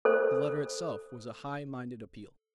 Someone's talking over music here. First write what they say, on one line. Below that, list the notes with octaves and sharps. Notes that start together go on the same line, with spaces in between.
The letter itself was a high minded appeal . . . .
A4 C5